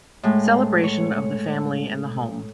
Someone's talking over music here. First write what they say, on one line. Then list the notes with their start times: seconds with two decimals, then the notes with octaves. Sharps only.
Celebration of the Family and the Home.
0.23 A2 G#3
0.84 C#5